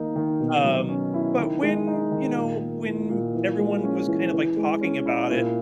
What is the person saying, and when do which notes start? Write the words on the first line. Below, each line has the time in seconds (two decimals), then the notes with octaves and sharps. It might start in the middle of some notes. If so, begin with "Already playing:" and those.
um, but when, you know, when everyone was kind of, like, talking about it,
Already playing: D#3 A#3 D#4
0.15 D#3
0.40 B2
0.64 F#3
0.89 C#4
1.14 E4
1.39 D#3
1.62 G#3
1.87 D#4
2.11 D#3
2.36 A#2
2.60 A#3
2.85 E4
3.10 A#2
3.35 E3
3.58 G#3
3.84 C#4
4.07 E3
4.33 E3
4.56 G#3
4.81 C#4
5.06 E4
5.31 A#2